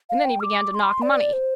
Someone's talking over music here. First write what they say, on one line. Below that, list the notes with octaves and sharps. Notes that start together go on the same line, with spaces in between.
And then he began to knock money.
F5
G5
F6
D6
D6
C6
D5
C5